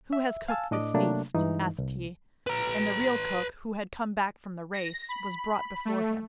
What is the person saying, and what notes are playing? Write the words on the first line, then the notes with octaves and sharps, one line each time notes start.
'Who has cooked this feast?' asked he, and the real cook, who had come back from the race, was brought before him.
E5
F5 G#5 A5 E6
A2 D4 D#5 D6
C3 F#3 A3 A#3 D4
G2 E3 G#3 D#4
C2
B4 A#5
A#6
B5
A3